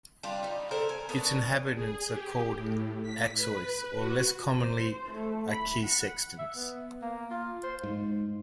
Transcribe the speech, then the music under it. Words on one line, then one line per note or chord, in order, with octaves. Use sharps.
Its inhabitants are called "Aixois" or, less commonly, "Aquisextains".
G3 D4 F4
G3 D#4
A4 A#4 C5
G#5
B3 D4 A#4 C#5
G#4
G4
A2
B6
B4
F#4
C5
A3
B5
F#5
E5
B3
A#3
F4
C5
G#2